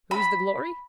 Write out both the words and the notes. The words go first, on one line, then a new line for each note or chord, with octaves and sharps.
Whose the glory?
B5